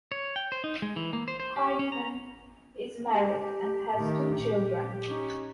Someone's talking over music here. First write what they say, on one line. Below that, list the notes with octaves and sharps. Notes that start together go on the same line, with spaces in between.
Heitmann is married and has two children.
C#5
G5
C5
D#4
G#3
E3
A#3
C5
C5
G4
C#4
A#5
G4
D#3 A3
A#1
C#4 D#4